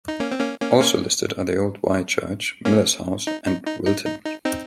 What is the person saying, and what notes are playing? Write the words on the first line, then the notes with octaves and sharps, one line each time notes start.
Also listed are the Old Wye Church, Miller's House, and Wilton.
D#4
A#3 C#4
C4
A#3 C#4
A#3 C#4
A#3 C#4
A#3 C#4
D#4
D#4
D#4
D#4
D#4
D#4
C4 D#4